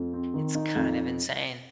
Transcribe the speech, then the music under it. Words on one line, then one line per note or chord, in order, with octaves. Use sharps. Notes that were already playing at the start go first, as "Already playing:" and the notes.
It's kind of insane.
Already playing: F2
C4
D#3
D#4
F2